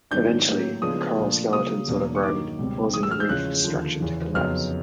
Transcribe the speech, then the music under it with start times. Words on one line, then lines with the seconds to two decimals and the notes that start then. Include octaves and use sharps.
Eventually, the coral skeletons will erode, causing the reef structure to collapse.
0.11 G#2 D#3 F#3 B3 D4 G6
0.46 A2 F#3 A#3
0.82 C#3 F3 G#3 B3 D4 D#6
1.17 A#2 F3 A3 D4
1.52 C#3 F#3 A#3 D#6
1.88 E2 B2 F#3 A#3 D4
2.15 C#6
2.23 G2 D#3 F#3 A#3 D#4 D6
2.58 C#2 B2 G3 C4
2.94 A2 E3 G#3 D#6
3.03 E6
3.11 F6
3.20 G6
3.29 E2 C#3 F3 G#3 C#4 F#6
3.64 D#2 D3 F3
4.00 E2 C#3 E3
4.35 F2 C#3 F#3 B3 D#4 F6